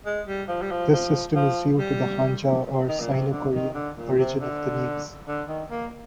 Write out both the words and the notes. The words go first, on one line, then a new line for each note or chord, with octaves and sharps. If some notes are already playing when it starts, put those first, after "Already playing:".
This system is due to the hanja or Sino-Korean origin of the names.
G#3
G3
F3
G3
F3
F3
F3
G3
D#3
A#2
C3
D3
D#3
D3
A#2
C3
D3
D3
D#3
A#3